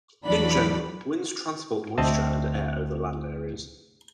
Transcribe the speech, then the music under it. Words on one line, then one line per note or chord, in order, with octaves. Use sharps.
In general, winds transport moisture and air over land areas.
E2 E3 F#3 D4 D5 B5
D2 C4 D#5 E5 A5